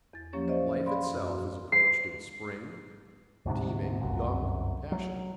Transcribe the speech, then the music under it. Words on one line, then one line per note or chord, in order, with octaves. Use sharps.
Life itself is approached in spring, teeming, young, passionate.
E2 A6
F3 F#3 A#3 C#4 G4 C#5
C5 D5 D#5 F5
D5 F5 B5 C6
F#2 C6
F#4
C7
D2 G#2 C3
G1 C2 F#2
F#3